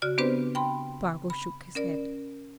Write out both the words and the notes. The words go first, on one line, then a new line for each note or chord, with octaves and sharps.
Spargo shook his head.
C#3 F#4 D5 F6
B3 C4 D4 G4 B4 C5
G5 B5 C6
B5
C#4 A#4 D5